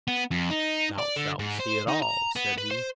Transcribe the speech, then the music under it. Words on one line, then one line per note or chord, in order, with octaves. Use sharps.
"Thou shalt see it all," said he.
B3
F2
D#4
D5
D3
G#2
C5
D#4
A#5
B3
B4
C5